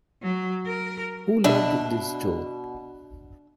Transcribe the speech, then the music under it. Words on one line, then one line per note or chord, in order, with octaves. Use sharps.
Who locked this door?
F#3
A#4
B2 D4 E5